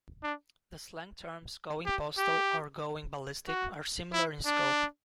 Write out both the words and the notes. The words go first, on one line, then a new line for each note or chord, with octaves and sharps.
The slang terms "going postal" or "going ballistic" are similar in scope.
D4
G4
G4
F#4
E4
D4